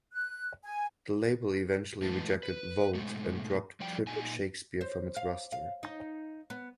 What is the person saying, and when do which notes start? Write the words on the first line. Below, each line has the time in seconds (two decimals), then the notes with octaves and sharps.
The label eventually rejected "Volt" and dropped Trip Shakespeare from its roster.
0.11 F#6
0.64 G#5
2.02 A2 E3 G#3 F4 B4 A5
2.43 B4
2.95 G#2 B2 G#3 A3
3.80 F3 G3 D5 G5
4.07 A#2 D#4 G#5
4.81 C5
5.17 F5
5.52 F5
5.83 D#4
6.50 B3